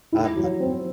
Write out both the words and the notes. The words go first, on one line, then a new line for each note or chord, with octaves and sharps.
Um, uh
E4
F#3
C4